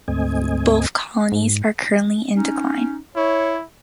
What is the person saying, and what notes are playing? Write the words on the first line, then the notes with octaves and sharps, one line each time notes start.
Both colonies are currently in decline.
D2 G#2 A3 C4 D#5 G#5
G#2
C#4 D#4
E4 C#5